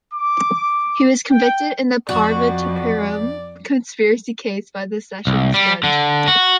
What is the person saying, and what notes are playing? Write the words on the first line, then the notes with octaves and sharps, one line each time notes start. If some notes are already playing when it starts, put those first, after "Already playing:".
He was convicted in the Parvatipuram Conspiracy Case, by the Sessions Judge.
D6
G5
F2 F#4 D5
C2
G3
D3
F#4